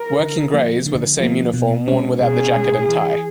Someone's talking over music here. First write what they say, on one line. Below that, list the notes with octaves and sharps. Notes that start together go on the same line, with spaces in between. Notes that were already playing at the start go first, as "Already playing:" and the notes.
"Working grays" were the same uniform worn without the jacket and tie.
Already playing: A#4
D3
F3 A#3
D3
F3 A#3
B2
G#3 C#4
B2 G#4
G#3 C#4
E3